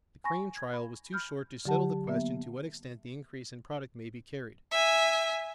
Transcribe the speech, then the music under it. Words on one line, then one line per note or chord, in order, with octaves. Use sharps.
The Crane trial was too short to settle the question to what extent the increase in product may be carried.
G#5 B5 C#6 A#6
G#6
B5
B5 F6 G6
D3 F#3 G4 F#5 A5
A#3 B3 E5
E5 G#5